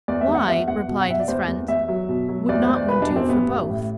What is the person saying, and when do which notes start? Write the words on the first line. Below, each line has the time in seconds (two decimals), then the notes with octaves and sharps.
"Why," replied his friend, "would not one do for both?"
0.08 E2 D5
0.21 E5
0.28 E2
0.35 F#5
0.48 E2 E5
0.68 E2 F#5
0.88 B2
1.01 F#5
1.08 B2 E5
1.20 D5
1.28 E2 C5
1.48 E2
1.68 E2 E5
1.89 F#3
2.09 B2
2.29 F#3
2.49 E2 D5
2.63 C5
2.69 E2
2.76 D5
2.89 E1 B4
3.02 D4
3.09 B2
3.16 C4
3.29 A1 B3
3.50 A1
3.70 A2